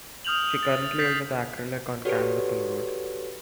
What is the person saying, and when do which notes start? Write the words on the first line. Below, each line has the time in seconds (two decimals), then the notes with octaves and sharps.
She currently uses acrylic on canvas and wood.
0.25 D#6 F6 G6 F7 F#7
0.63 A6
0.99 G6 A6 B6 C7
2.05 F#4 G4 A4 B4 C#5 D5